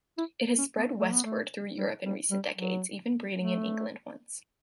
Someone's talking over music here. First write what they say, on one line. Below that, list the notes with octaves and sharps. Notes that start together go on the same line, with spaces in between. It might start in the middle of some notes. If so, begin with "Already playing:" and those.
It has spread westward through Europe in recent decades, even breeding in England once.
E4
C#4
B3
A3
B3
A3
G3
G3
G3
F#3
A3